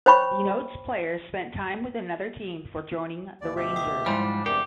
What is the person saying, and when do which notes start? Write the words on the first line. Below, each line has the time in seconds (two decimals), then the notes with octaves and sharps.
Denotes player spent time with another team before joining the Rangers.
0.06 C5 C#5 G5 B5 C#6
3.41 D#2 D5
3.56 D2 B2 G4 E5
3.76 G5 D#6
4.06 G#2 F3 G3 G#3 E4 C5 G#5
4.24 D4
4.46 E2 G2 C3 G4 A#4 D5